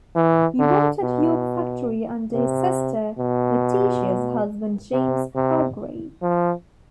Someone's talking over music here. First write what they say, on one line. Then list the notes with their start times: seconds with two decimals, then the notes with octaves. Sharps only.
He worked at York Factory under his sister Letitia's husband James Hargrave.
0.16 E3
0.60 D3
1.03 B2
2.33 C3
3.19 B2
4.93 C3
5.36 C3
6.22 F3